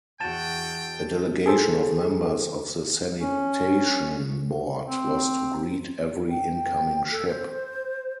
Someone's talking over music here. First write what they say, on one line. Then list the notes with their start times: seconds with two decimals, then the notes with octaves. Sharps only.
A delegation of members of the sanitation board was to greet every incoming ship.
0.20 E2 F#4 G5 A5 A6 E7
1.46 G#4 A4 C5
3.19 C#4
4.85 C4
6.30 G5
7.12 A4
7.28 C5